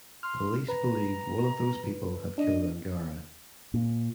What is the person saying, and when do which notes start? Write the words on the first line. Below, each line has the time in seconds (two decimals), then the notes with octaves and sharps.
Police believed one of those people had killed Angara.
0.23 C6 F6
0.68 B4 A#5
2.38 D4 D#5
3.74 A#2